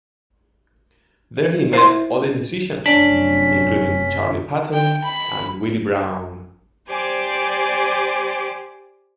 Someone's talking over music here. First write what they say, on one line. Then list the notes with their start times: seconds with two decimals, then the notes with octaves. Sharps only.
There he met other musicians, including Charlie Patton and Willie Brown.
1.73 E4 C5 C6
2.86 F1 F#2 C#4 D4 B6
4.73 G5
5.04 B5
6.89 G4 C5 D5 G#5 D6